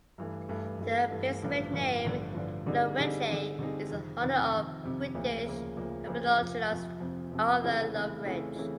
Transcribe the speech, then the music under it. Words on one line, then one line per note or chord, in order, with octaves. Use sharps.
The specific name, "loveridgei", is in honor of British herpetologist Arthur Loveridge.
G2 E3 A3
G2 E3 A3
G2 E3 A3
G2 E3 A3
A1 G2 D3 F3
A1 G2 D3 F3
A1 G2 D3 F3
A1 G2 D3 F3
D3 G3 C4 D#4 G#4
D3 G3 C4 D#4 G#4
D3 G3 C4 D#4 G#4
D3 G3 C4 D#4 G#4
F2 C3 D#3
F2 C3 D#3
F2 C3 D#3
F2 C3 D#3
D2 C#3 F3 A#3
D2 C#3 F3 A#3
D2 C#3 F3 A#3
D2 C#3 F3 A#3
F2 C3 F3
F2 C3 F3
F2 C3 F3
F2 C3 F3
C#3 E3 A3 C4 E4
C#3 E3 A3 C4 E4
C#3 E3 A3 C4 E4
C#3 E3 A3 C4 E4